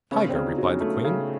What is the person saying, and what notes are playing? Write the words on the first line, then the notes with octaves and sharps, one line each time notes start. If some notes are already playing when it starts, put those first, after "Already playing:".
'Tiger?' replied the queen.
C#3 B3 C#4
C4 D4
C#3
D#4 F4
F#3
C#4 D#4
A3
C#3